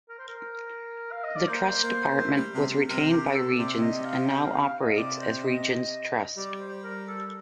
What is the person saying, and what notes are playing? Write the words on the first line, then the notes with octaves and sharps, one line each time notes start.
The trust department was retained by Regions and now operates as Regions Trust.
A#4
C5
A#4
F5
D#5
D5
A#3 C5
A#3
A3
G3
C3
C3
C3 A#4
G4
A4
C3 D5
D#5
F5
G5
F5
F5
D#5
C3 D5
C5
D#5
G3 D5
C5
A#4
A4